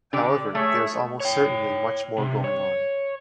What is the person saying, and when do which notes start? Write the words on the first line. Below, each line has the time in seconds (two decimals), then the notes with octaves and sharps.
However, there is almost certainly much more going on.
0.13 D3 G4 D5
0.55 A3 G#4 C#5 E5
1.20 C#5 G5
2.18 C3
2.44 C#5